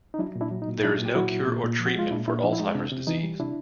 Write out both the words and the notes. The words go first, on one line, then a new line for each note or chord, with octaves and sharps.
There is no cure or treatment for Alzheimer’s disease.
D#4
F#3 D4 E4
A#2
D4 E4
F#3
D#4
A#2
F#3 D4 E4
A#2
G4
F#3 E4 F#4
A#2
A#2
A#2
F3
F#4
G#3 F4
A#2 D4 E4
A#2 D4 E4
F3 D4
E4
G#3 D#4
C3 D4
C3
E3 D#4
G3
C3 D4 E4